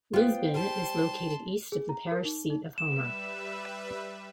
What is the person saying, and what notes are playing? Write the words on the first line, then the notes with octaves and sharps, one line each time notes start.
Lisbon is located east of the parish seat of Homer.
B3 F4 C5 G5
G3 A5 C6
G#4
A#5
A#4
D#4
D#4
G3 B4 E5 E7